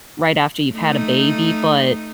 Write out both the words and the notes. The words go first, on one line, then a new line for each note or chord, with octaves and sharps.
right after you've had a baby. But,
A3 D#4